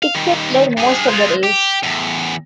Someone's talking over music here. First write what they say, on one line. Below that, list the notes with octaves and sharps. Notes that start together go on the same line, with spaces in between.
Piquet led most of the race.
F5
D#3 G3
G2 G#4
G#3 F4
G4
E2 A2